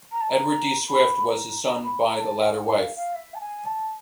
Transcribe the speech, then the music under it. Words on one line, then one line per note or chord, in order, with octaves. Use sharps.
Edward D. Swift was his son by the latter wife.
A#5
A5
A#5
B5
A#5
A#5
B5
A#5
A5
G5
F5
F#5
E5
F5
F5
E5
A5
G#5
A5